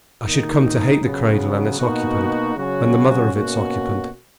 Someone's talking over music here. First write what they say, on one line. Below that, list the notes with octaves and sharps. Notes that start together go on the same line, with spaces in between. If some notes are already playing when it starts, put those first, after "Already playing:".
I should come to hate the cradle and its occupant, and the mother of its occupant.
D#3 A#3 D#4
C#3 F#3 B3
B2 A#3 D#4 F#4
C#3 F#3 C#4 F#4
B2 A#3 C#4 F#4